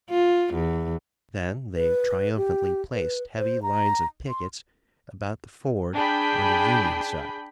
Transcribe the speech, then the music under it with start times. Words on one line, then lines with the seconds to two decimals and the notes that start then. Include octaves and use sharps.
Then they triumphantly placed heavy lines of pickets about the ford on the Union side.
0.10 F4
0.54 E2
1.76 B4
2.37 G4
2.93 B4
3.38 C5
3.62 A#5
4.29 C6
5.93 D4 G#4 G5 B5 G6